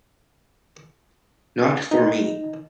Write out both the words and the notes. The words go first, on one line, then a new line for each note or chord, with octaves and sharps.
Not for me.
D#4